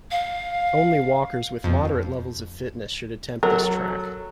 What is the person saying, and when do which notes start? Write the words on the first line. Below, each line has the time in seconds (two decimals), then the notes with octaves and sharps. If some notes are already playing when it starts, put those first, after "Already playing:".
Only walkers with moderate levels of fitness should attempt this track.
0.11 F5
1.64 F2
3.43 F#3 A4 A#4